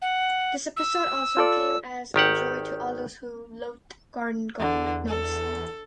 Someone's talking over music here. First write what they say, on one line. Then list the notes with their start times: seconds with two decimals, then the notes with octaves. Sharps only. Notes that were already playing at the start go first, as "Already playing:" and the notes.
This episode also came as a joy to all those who loathe garden gnomes.
0.02 F#5
0.76 E6
1.37 F4 A4 D5
2.14 G#1 D#3 G4 F#5
4.59 E2 D3
5.08 A4